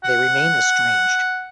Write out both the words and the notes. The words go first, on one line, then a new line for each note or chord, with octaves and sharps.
They remain estranged.
F#5